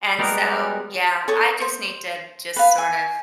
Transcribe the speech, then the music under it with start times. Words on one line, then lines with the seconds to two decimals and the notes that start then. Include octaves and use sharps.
and so yeah I just need to just sort of
0.19 G3 G#3 B3 G4 G#4 A#4
1.28 A4 C#5 C#6 D#6
1.61 C5
2.56 B4 F5
2.78 G#5